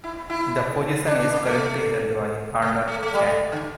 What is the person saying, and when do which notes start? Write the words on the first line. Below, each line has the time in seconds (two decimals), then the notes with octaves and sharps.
The position is currently held by Arnold Chan.
0.04 E4
0.30 E4
1.07 D4
1.21 D4
1.33 A#3
1.47 A3
2.62 A#3
2.88 A3
3.03 A3
3.14 G3
3.27 G3
3.52 D3